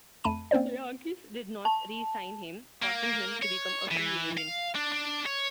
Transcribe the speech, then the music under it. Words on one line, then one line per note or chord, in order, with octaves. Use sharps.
The Yankees did not re-sign him, causing him to become a free agent.
F2 A3 A5 B5 D#7
A#3 C4 C#4 C5 D5
A5
A#3
A#3
C#5
E3
F5
D4
D4
C#5